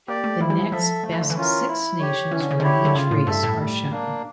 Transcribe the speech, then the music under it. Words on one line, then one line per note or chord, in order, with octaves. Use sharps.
The next best six nations for each race are shown.
A#3 G4 D5
A3
F3 E4
G3
F3
F3 A4 E5
F3 A3
E3
D3
E3
C#4 F4 A#4
E4
G4 C#5
E3 C#4
D3
C#3
D3 E4 G4 C#5
D3
C#3 F4
A2
G2 A4 E5
A2
G3
A#3 D4